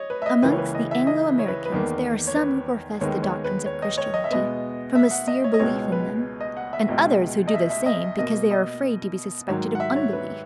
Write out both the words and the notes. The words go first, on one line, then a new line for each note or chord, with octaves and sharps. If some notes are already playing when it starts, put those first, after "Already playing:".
Amongst the Anglo-Americans, there are some who profess the doctrines of Christianity from a sincere belief in them, and others who do the same because they are afraid to be suspected of unbelief.
Already playing: C#5 D#5
B4
E5
D#5
C#2 C#3 E3 A#3 B4
C#5
B4
D#5
E5
D#5
C#5
B4
B4
E2 D#3 A#3
C#5
B4
D#2 D#3 G#3 B3 C#5
C#5
B4
C#5
D#5
C#5
D#5
E5
B2 G#3 B3 D#5
E5
F#5
D#5
C#5
D#5
C#2 B2 G#3 B3 C#5
B4
D#5
F#5
E5
C#2 B2 G#3
D#5
E5
E5
D#5
B2 A#3 D#5
D#5
G#2 D#3 F#3 C#5
F#5
E5
C#5
B4